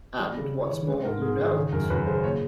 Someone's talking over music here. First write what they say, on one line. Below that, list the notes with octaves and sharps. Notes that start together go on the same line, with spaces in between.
And, what's more, you know it.
G3 D5
C#3
C#3
C#5
E3
G#3 B4
G#2 A#4
G#2 G#4
D#3 G#4
C#3
F#2 A#4
F#2 B4
C#3 C5
A#2 C#5